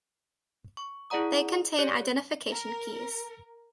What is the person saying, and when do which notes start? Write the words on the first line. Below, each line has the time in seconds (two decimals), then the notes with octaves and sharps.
They contain identification keys.
0.77 C#6
1.10 E4 G#4 D5 F#5 A#5 D#6
1.79 G4 C#5 D5
2.50 A#4